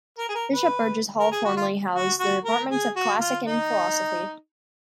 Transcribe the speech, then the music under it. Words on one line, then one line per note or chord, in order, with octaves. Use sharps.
Bishop Burgess Hall formerly housed the departments of Classics and Philosophy.
A#4
G#4
A#4
B4
A#4
G#4
F#4
F4
F#4
F#4
A#4
G#4
F#4
F4
D#4